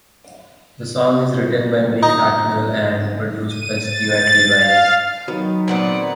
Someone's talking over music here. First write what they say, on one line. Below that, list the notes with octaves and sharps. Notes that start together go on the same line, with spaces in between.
The song is written by Mick Hucknall and produced by Stewart Levine.
D#4
D#7
A6
F5
D#3 F#3 B3
A#2 B3 C4 D5 F#5